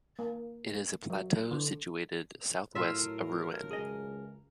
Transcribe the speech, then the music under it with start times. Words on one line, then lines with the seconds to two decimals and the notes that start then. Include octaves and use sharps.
It is a plateau situated southwest of Rouen.
0.19 A#3
1.10 F#3
1.51 D3
2.75 A2 F#3 A3 F4 A#4 E5
3.71 C#2 G#4 D#5